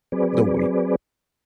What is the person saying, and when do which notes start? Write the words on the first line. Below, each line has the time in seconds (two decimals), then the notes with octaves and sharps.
the weight
0.12 F#3 C4 G#4 B4 D5